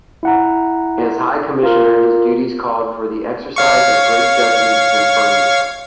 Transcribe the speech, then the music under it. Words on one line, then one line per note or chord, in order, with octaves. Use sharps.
As High Commissioner his duties called for the exercise of great judgment and firmness.
E4 F#5 A#5
F4 A#4
C#5 F5 C#6